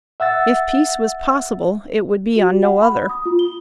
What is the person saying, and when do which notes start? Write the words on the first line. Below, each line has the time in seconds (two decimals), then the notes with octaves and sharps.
If peace was possible, it would be on no other.
0.20 E5 F#5 E6 A6
2.36 F#4
2.63 F#5
2.82 B5
3.09 D#6
3.25 F4
3.39 G7